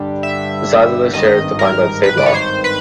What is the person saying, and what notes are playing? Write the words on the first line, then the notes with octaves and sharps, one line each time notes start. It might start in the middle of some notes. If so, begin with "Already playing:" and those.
The size of this share is defined by the state law.
Already playing: G2 D3 G3
E5
G#1 G2 D#3 D#5
A#4
B4
D5
C#5
C5
B4